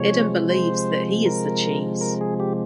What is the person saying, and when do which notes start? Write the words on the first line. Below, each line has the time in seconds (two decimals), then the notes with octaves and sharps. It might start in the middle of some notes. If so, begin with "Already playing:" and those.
Adam believes that he is the cheese.
Already playing: C3 F3 G#3 C#5
0.50 C5
1.26 A#4
2.01 A#4
2.21 G#4
2.40 G4